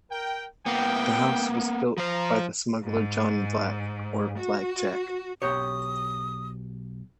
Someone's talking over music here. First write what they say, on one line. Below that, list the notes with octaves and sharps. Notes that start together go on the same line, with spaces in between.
The house was built by the smuggler John Black or Black Jack.
A#4 G5
C3 A#3 B3 E4 G5
F3 C5 A#5
G#2
F#4
B1 G4 C#5 D#6